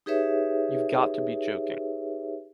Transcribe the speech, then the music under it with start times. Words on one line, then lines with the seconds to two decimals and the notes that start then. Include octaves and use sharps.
You’ve got to be joking.
0.06 D#4 G4 G#4 B4 C#5 E5